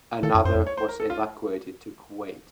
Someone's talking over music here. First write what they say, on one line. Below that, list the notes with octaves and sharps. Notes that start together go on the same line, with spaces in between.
Another was evacuated to Kuwait.
D#3 A4
F#2
F#2 C5
F2
C#5
C5
A#4
A4
F4